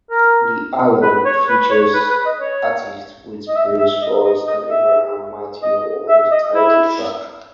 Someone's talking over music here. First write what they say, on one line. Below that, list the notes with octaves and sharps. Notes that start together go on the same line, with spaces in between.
The alum features artists with Prince Royce and Abraham Mateo on the title track.
A#4
B4
C#5
B4
C#5
B4
B4
D#5
C#5
D#5
E5
E5
D#5
D#5
D#5
E5
D#5
E5
D#5
E4